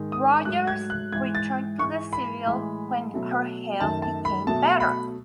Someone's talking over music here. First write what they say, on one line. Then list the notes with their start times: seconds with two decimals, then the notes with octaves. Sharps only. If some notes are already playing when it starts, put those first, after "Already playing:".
Rogers returned to the serial when her health became better.
Already playing: G#2 D#3 G#3
0.12 D#6
0.45 G#2 F#3 A3 F#6
0.67 G#6
0.90 F#6
1.12 G#2 E3 G#3 G#6
1.35 A6
1.79 G#2 E3 G#3 C#6
2.13 B5
2.46 A2 E3 G#3
3.14 B2 F#3 A3
3.80 F#2 D#3 F#3 A3 A5
4.02 A5
4.25 B5
4.47 B2 F#3 A3 A5
4.80 B5